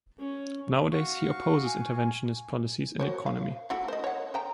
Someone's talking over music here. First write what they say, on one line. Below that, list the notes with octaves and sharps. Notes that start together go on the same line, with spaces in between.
Nowadays, he opposes interventionist policies in economy.
C#4
F#4 F5 C#6
G#5
F#4 C5 C#5
F5
A3 E4 F#4
C5 D#5
C#5 F#5
C5 G5 A#5